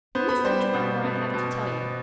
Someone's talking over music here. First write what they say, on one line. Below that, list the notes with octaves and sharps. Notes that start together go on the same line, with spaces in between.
Listen to what more I have to tell you.
B3 C5
B5
G3 C5
C5
B2
B3
B2